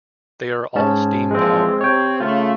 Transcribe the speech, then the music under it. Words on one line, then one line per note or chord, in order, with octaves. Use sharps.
They are all steam powered.
G#2 C#4 A5
A#2 E3 F3 G#3 C4
C3 C4 C#5 G5
C#3 A3 F4